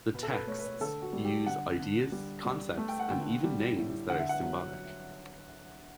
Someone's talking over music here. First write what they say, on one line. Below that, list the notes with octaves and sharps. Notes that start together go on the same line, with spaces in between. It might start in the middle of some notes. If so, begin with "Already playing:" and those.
The texts use ideas, concepts and even names that are symbolic.
B2 B4
A4
B4
A3 C#5
B4
C#5
D3 A4
F#4
G3
G4
D3 F#5
D3
G3
G3
A3
G5
F#5
D3 G5
G3
A2
D3 F#5
E5
F#5
F#3